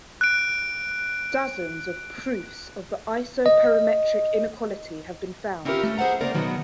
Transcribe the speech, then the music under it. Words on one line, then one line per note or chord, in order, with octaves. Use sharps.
Dozens of proofs of the isoperimetric inequality have been found.
F#6 D7
D#5
C4 C#4 E4 F4 G4 A#4
A3 C#4
G#4 C5 E5 F#5 A#5
C#3 A#3 C4 A#4 D5
B2 D#3 F#3 B3